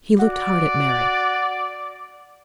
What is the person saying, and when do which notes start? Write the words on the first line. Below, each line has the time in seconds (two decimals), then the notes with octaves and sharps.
He looked hard at Mary.
0.19 F#4 D5